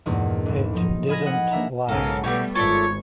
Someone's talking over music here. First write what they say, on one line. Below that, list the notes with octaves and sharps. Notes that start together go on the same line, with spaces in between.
It didn't last.
E2 G2 A#2 G#3 A#3 D#4
B1 G#2
A2 F3 D#4
D#5 G#5 B5 F6 G#6 A#6
D#5 F#5
A#3 D4 E5 A#5
B1 G#2 C#3 A4 A#4 F5 F#5
B2 G3 A3 B3 E4 F#4 G4 C#5
G#1 F4 A4 C#5 D5 E5 C#6